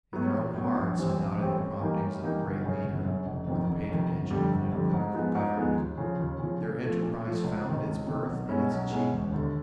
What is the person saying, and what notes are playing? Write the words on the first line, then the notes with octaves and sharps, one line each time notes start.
In their own hearts, and not in the promptings of a great leader or the patronage of an equivocal government, their enterprise found its birth and its achievement.
A2 F#3 B3
A1
A2 F#3 B3
A#1
A2 E3 G3 C4
A#1
A2 E3 G3 C4
A2
E3 G3 A#3 D#4
A2
E3 G3 A#3 D#4
G1
F#2 C#3
G1
F#2 C#3
F1
F2 C3 D#3
F1
F2 C3 D#3
G1
F2 D3 G3
G1
F2 D3 G3
G#2
F3 G#3 B3 D#4
G#2
F3 G#3 B3 D#4
D#2
C#3 F3
D#2
C#3 F3
A#2
F3 A3
A#2
F3 A3
C#2
C3 D#3
C#2
C3 D#3
B1
B2 G#3 C#4 E4
B1
B2 G#3 C#4 E4
E1
D#2 D3